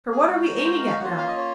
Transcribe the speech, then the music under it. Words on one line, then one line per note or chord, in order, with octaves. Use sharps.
For what are we aiming at now?
G#4
G#3 D#4 F#4
C5
A#4
F5
A#3 C#4 F4 F#5
F5
D#5
C#5